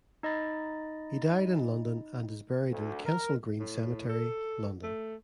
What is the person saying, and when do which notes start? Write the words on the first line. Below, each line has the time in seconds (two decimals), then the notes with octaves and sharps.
He died in London and is buried in Kensal Green Cemetery, London.
0.23 D#4 D#5 B5 A6
2.70 D2
3.05 A#4
3.60 A2
4.09 A4
4.83 A3